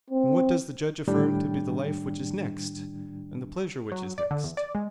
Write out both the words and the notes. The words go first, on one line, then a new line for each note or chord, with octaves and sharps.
And what does the judge affirm to be the life which is next, and the pleasure which is next?
C4
A2 D#3 G3 D4 G5
F#3
D5
D3
E2
D5
G#3